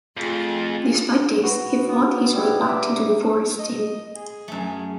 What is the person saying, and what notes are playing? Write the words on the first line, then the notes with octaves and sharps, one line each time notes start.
Despite this, he fought his way back into the Forest team.
F2 A3 F4 G#4
F#4 B4
B3
G3 E4
E5 A#5 D6
D#5
G#4
F#2 A3